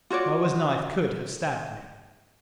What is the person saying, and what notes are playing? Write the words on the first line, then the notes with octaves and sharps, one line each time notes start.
Moa's knife could have stabbed me.
F4 F#4 C#5 D5